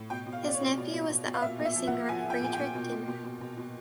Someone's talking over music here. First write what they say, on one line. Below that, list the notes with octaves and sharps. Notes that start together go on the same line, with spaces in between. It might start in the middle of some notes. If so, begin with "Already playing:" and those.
His nephew was the opera singer Friedrich Demmer.
Already playing: A2
B2 G5
B2
F5
B2 D5
C#5
B2
B2
B2
B2
B2
F5
A#2 E5
A#2
E5
F3
F#5
A#2
F3 G#5
F3 G5
A#2 G#5
A#2 G5
B2
B2
B2
B2
B2
B2